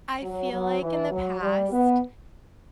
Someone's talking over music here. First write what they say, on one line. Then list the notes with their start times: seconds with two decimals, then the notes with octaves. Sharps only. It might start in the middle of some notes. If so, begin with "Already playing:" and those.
I feel like in the past,
0.22 F#3
0.52 F#3
0.82 E3
1.11 F#3
1.41 G3
1.72 B3